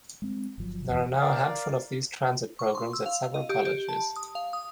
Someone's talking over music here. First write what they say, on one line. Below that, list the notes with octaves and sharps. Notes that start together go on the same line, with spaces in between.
There are now a handful of these transit programs at several colleges.
G#3 C4
G1 F3 F#3
D1 E2 E3
A#4 D5 F5
C#6
C6
E6
F5
D#5
G4
G4
A5
D#6
F5
D#6